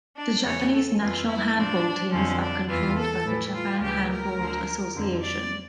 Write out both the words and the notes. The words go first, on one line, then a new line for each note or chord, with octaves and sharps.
The Japanese national handball teams are controlled by the Japan Handball Association.
D4
E2 C#3 E3 C#5
A4
F2 E3 F4
E4
A2 F3 D4
F2 D3 F3 C#4
D4
E2 E3 F4
A4
A2 E3
F4
D2 C#3 E3 G4
A#4
D2 D3 F3
F2 D3 F3
D5